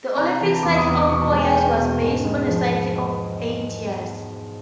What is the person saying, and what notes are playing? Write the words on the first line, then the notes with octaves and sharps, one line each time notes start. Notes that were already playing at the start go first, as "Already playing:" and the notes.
The Olympic cycle of four years was based on a cycle of eight years.
C3 A#5
E3 A5
E2 D6
D#6
E2 D#6
D6
B2 C#6
A5
G#3 G#5
G5
G#3 G5
B2
G#2
G#3
F3